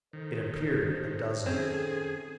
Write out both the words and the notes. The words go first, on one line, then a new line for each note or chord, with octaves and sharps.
It appeared a dozen.
D#3 A4 C5
D#3 C4 C#4 G#4